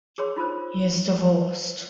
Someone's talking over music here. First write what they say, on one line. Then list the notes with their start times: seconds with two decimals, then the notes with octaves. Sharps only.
He is divorced.
0.18 G#4 A#4 C#5 C6
0.36 D#4 F4 A4 A#4 C5